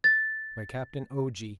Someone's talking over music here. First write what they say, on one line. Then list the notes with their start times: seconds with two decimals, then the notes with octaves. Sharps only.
By Captain O.G.
0.04 A6